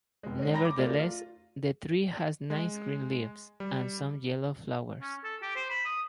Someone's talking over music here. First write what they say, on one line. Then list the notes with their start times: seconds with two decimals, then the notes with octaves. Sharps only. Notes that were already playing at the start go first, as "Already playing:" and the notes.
Nevertheless, the tree has nice green leaves, and some yellow flowers.
0.23 F1 G#3
0.39 G#3 C#4
0.54 G5 A#5 B5 A#6
0.65 D6
0.78 F#3 A3 F4 A#4 D5
0.99 F4
2.50 G#3
3.60 G3
5.01 C#4
5.24 A4
5.43 G4
5.56 C5
5.70 B5
5.86 D#6